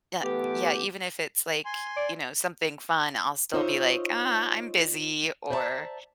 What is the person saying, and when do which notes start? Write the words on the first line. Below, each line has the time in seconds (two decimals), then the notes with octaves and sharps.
Yeah, yeah, even if it's like, you know, something fun, I'll still be like, "Uh, I'm busy," or
0.23 E3 A3 B3 G4
1.65 G#5 C6
1.96 D5
3.54 D#4 F4 C5 C#5 D#5 E5
5.50 C5 D5 E5 F#5 A5 A#5